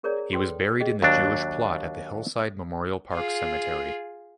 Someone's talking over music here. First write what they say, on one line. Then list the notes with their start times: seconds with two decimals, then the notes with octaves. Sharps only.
He was buried in the Jewish plot at the Hillside Memorial Park Cemetery.
0.03 C#4 G#4 A#4 C#5 D5 A#5
0.33 A4 B4 G5 C6
0.80 G#4 D#5 G5
1.02 D#2 F#3 D4
3.13 F4 G#4